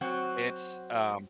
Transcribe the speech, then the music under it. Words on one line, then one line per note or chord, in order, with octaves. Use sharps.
it's, um
F#3 C4 F#4